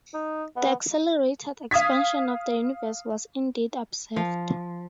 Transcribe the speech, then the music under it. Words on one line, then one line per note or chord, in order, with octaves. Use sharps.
The accelerated expansion of the Universe was indeed observed.
D#4
B3
F5 D#6 G#6 B6
F3